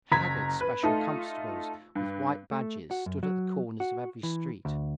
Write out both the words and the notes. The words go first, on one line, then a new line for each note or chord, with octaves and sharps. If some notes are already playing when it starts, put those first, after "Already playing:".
Haggard special constables with white badges stood at the corners of every street.
F#1 A#5 G#6 B6
B4
A3 D#4 F4 A4
G2
A3
F#4
F#2
F#3
F#4
E3
D2